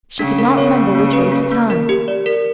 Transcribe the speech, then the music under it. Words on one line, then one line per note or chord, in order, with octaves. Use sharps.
She could not remember which way to turn.
C#3 D4
A#4
C#5
A#3
A#3
B4
A#3
A#3
A#4
G4
D5
A#4